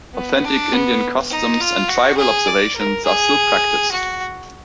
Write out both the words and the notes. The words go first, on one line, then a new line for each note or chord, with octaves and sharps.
Authentic Indian customs and tribal observations are still practiced.
B3
D4
B3
D#4
F4
F#4
G#4
D5
A#4
G#4
F#4